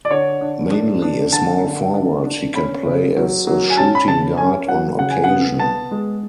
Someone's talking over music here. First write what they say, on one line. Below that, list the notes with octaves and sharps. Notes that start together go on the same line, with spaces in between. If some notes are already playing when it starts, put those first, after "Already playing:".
Mainly a small forward, he can play as a shooting guard on occasion.
D5
D3 C#5
D4
D4
D4
D3 A5
D3
D4
D4
C#4 B5
C#3
F#3
F#3
G#5
C#4 A5
B5
C#3 A5
C#4 G#5
F#3 F#5
C#3 F#5
G#5
F#5
B3
B3 A5
G#3